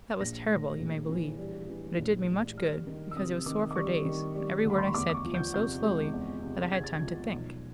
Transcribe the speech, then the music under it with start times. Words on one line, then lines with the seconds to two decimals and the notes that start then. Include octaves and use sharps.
That was terrible, you may believe, but it did me much good, because it was sore for days, and every word I said came so slowly that I had time to think.
0.20 A#1 A#6
0.50 A2
0.79 A#1
1.09 E3
1.38 G3
1.68 E3
1.98 A#1
2.28 A2
2.57 G3 F6
2.87 D#3
3.11 E6
3.16 C3 D#6
3.46 D#3 D6
3.71 D6
3.76 G3 C#6
4.05 D#3
4.35 G3
4.65 D2 B5
4.78 C6
4.86 C#6
4.94 E2 D6
5.09 D6
5.14 C#6
5.25 F3
5.34 G6
5.54 C3 G6
5.84 G#3
6.13 E2
6.43 C3
6.73 C3 G#6
6.84 A6
6.94 G#6
7.02 F3
7.32 B1